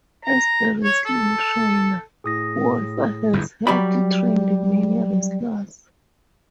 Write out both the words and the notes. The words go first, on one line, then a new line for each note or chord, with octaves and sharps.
As a wrestling trainer Wolfe has helped trained many wrestlers.
A#5
C#5
A4
A2 G#4 D#6 A#6
G1 E2
F#3 G3 D5 B5